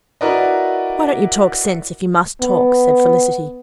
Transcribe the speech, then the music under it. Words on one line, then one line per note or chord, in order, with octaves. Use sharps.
"Why don't you talk sense, if you must talk?" said Felicity.
E4 F#4 A#4 B4 D5 D#5
B3